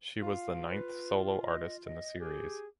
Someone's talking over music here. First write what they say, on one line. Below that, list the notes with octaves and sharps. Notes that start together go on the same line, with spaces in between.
She was the ninth solo artist in the series.
F4 F5
B4
D#5
D#5
G4 G#4